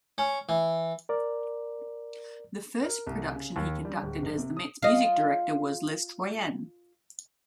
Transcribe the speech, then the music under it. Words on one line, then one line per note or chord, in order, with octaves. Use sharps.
The first production he conducted as the Met's music director was "Les Troyens".
C#4
E3
A#4 D5
A#4
C2
C#3
D#2
G3
D1
F#1
C3
D#6
F4 D#5